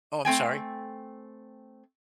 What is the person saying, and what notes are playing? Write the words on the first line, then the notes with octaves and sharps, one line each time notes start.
Oh, I'm sorry
A3 C4 G5 G#5